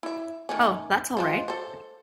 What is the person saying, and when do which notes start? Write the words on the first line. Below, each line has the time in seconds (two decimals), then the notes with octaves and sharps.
Oh, that's all right.
0.03 E4 E5
0.49 D#3 A3 C#4
1.17 G#3 F4 C5
1.48 A4 C5